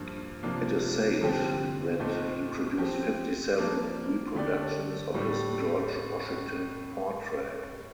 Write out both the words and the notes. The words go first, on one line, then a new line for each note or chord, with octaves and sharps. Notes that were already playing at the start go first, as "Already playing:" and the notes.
It is said that he produced fifty-seven reproductions of his George Washington portrait.
Already playing: G2 F3 A#3
C3 F3 A#3 D4 F4
G2 D3 F3 C4 G4
A#2 A3 C4 D#4
F3 C4 G4
F3 A#3 D4
D3 A3 D4 G4 D5
A2 G3 D4 A4